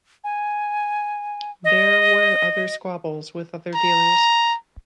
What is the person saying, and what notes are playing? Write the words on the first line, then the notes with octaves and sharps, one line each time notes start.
There were other squabbles with other dealers.
G#5
D#5
A#5